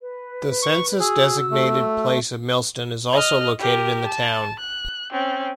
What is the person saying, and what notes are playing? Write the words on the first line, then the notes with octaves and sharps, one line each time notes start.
The census-designated place of Millston is also located in the town.
B4
C#6
F#4 G#4 E6
A3
D#5 F6
G4 A#4
A5
F#6
C4 C#4